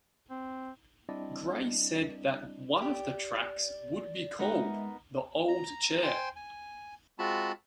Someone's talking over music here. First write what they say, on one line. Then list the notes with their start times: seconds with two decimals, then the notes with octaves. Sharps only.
Gray said that one of the tracks would be called "The Old Chair".
0.30 C4
1.09 G3 C4 D4 E4 D5 D#5
2.82 G4 D5
4.39 G#3 B3 D#4 A#4 E5 A#5
5.48 A#5
6.03 C5 G5 G#5 C6
6.36 G#5
7.19 G#3 C4 F4 F#4 A5 B5